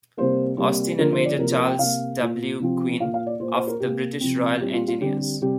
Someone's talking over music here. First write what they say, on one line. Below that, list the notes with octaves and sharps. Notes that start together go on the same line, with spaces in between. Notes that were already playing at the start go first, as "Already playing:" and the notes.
Austin and Major Charles W. Gwynn of the British Royal Engineers.
C3 G3 A#3 C5
C3 G3 A#3
D3 F3 A#3 A#4
C5
D5
C3 F3 A#3 A#4
A#4
G5
C3 A#3 F5
A#2 A#3
C3 F3 C4
A#2 A#3 F5
F5
D5
A#2 A#3 C5
C5
A#4
C3 A#3 G4
C3 F3 C4
A#2 G3 C4 G4
F4
F4
D3 G3 C4 G4
C3 G3 C4 G4